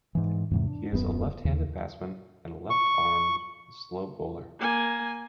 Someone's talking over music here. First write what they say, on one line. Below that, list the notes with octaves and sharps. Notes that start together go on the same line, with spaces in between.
He is a left-handed batsman and a left-arm slow bowler.
G#2 E3
E2 G#2 C3
D4
D#1 F#2 B3
D#2
C#6
A#3 G#5